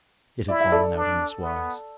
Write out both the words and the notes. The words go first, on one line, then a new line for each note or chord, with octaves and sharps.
It had fallen out in this wise.
E4 D5
E5
A4 D5
D4
B3